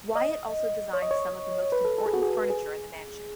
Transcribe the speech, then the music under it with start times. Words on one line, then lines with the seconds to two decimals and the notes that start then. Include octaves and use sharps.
Wyatt also designed some of the most important furniture in the mansion.
0.15 D#5
0.93 C#5
1.02 D#5
1.11 C#5
1.72 B4
1.85 A4
1.98 A4
2.06 G#4
2.13 F#4
2.22 G#4
2.50 G#4